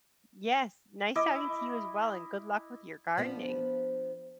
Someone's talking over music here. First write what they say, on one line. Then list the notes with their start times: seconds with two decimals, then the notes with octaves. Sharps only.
Yes, nice talking to you as well, and good luck with your gardening.
1.15 E4 D#5 D6
3.17 F3 B3 D4